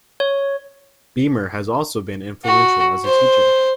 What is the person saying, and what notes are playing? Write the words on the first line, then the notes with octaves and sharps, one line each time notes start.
Beamer has also been influential as a teacher.
C#5
F#4
C5